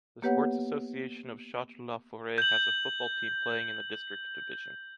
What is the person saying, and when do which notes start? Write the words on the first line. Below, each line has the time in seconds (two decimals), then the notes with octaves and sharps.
The Sports Association of Châtres-la-Forêt has a football team playing in the district division.
0.22 A#3 B3 G4 B4 C#5 F#5
2.38 G6 F#7